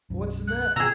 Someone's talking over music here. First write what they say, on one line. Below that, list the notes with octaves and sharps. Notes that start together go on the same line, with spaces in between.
"What's the matter?"
B1 F#2
F#6
B2 G#4 A#5 E6